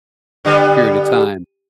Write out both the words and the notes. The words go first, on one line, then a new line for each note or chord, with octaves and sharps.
period of time.
D3 G3 B3